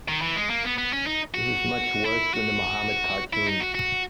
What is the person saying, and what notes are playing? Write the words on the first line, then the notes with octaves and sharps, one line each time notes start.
This is much worse than the Muhammad cartoons.
D#3
E3
G#3
A#3
B3
B3
C#4
D#4
F#4
E4
F#4
E4
D#4
F#4
F#4